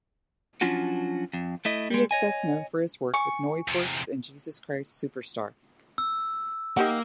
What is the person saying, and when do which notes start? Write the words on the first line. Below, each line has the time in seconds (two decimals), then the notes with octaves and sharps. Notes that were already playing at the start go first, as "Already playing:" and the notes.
He is best known for his work with Noiseworks and Jesus Christ Superstar.
0.61 F3 F#3 C#4 D4 F4 F#4
1.33 F2
1.65 A3 E4 D#5
1.90 G3 G#3
2.11 C#5 D#5 G#5
3.14 G#5 C#6
3.68 E2 C3
5.98 E6
6.77 A#3 D#4 G4 F#5